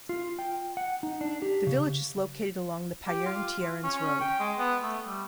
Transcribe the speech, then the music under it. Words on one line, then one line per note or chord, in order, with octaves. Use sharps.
The village is located along the Payerne-Thierrens road.
F4
G5
F#5
D#4
D4
G4
C#3
G4
F4
C#4
G5
G#3
B3
A3
G3